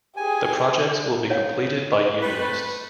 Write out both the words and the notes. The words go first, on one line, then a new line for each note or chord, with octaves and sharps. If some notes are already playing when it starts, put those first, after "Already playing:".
The projects will be completed by unionists.
G4 G#4 G#5
C#5 F5
A3 C4 B4